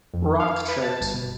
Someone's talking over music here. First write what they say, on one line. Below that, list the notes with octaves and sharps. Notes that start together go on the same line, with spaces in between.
Rock Chart.
F2
F5
B4
A5
G1
B2